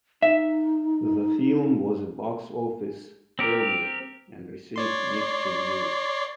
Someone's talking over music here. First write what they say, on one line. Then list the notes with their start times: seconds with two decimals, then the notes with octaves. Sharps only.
The film was a box office failure and received mixed reviews.
0.22 D#4 E5
3.39 C4 G4 A#4
4.76 C#5 D5 C6